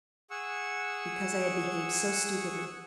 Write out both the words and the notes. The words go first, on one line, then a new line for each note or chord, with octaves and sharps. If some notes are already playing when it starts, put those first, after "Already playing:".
"Because I had behaved so stupidly."
G#4 F#5 C#6 E6